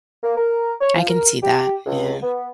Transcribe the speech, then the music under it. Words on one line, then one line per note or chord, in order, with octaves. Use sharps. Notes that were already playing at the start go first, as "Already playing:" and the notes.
I can see that, yeah.
A#3
A#4
C#5
F3
A#4
G4
C#2
B3